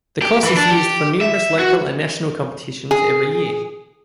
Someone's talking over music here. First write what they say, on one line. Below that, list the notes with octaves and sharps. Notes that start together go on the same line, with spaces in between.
The course is used for numerous local and national competitions every year.
G4
E3
D4
G4
E5
F#4
G#4